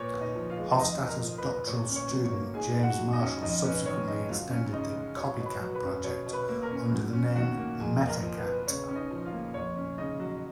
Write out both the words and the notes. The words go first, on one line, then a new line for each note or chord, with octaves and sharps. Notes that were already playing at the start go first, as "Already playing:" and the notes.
Hofstadter's doctoral student James Marshall subsequently extended the Copycat project under the name "Metacat".
Already playing: A#2 B3 C#5
B3
D#4 D#5
F3
F4 F5
G#3
F5
F2 D#4 D#5
F2
A#4 A#5
F3
B4 B5
B3
A#2 C#5 C#6
C#4
C#5 C#6
F#3
C#5 C#6
A#3
G#2 G#4 G#5
G#2
F#4 F#5
F#3
D#4 D#5
C#4
F2 D#4 D#5
C#4 B4
D#3 C#5
G#3 D#4 D#5
F#2 F4 F5
C#4
C#3 D#4 D#5
G#3
B2 C#5
B2
B4 B5
F#3
B4 B5
C#4
B2 C#5 C#6
B2
B4 B5
A#3
A#4 A#5
C#4
F#2
C#4
D#3 F#4 F#5
A#3
F2 G#4 G#5
F2
A#4 A#5
F3
B4
B3
B4
C#3 C#5
C#4
D#4 D#5
F3
F4 F5
A#3
F2 C#5
C#4
C#3 D#4 D#5
F#3